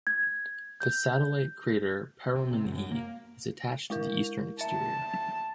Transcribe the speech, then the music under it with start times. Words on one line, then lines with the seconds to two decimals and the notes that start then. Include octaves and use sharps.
The satellite crater Perel'man E is attached to the eastern exterior.
0.07 G#6
0.80 G6
2.35 C3
2.52 C3
2.65 F#2
2.92 A#3
3.90 G#3 E4 A#4
4.61 E5 A5